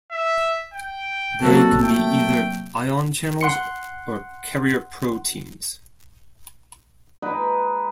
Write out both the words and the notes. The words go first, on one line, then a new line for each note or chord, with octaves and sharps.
They can be either ion channels or carrier proteins.
E5
G5
C3 F#3 A#3 F#4 A4
A3 G5
F#5 C6 C#7
G#3 D#4 B4 G5